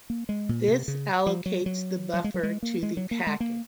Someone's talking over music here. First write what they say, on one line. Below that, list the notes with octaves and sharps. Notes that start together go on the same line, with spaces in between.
This allocates the buffer to the packet.
A#3
G#3
A#2
C3
C#3
F3
F#3
F#3
F#3
G#3
F#3
G#3
A#3
G#3
F#3
A#3
G#3
A#3